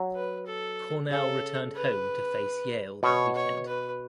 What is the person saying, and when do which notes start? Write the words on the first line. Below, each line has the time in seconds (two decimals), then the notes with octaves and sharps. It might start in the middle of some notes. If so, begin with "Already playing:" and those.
Cornell returned home to face Yale that weekend.
Already playing: F#3
0.15 B4
0.46 A4
1.11 C#3 A4
1.75 B4
3.03 B2 C#5
3.35 C#5
3.67 B4